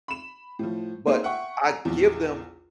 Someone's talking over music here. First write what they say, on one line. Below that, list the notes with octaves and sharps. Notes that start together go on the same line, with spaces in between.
but I give them
B5 E7
A2 F3
A#3 D#4 G#4 C5
E5 F#5 G5 C#6
A#5
A#1 E2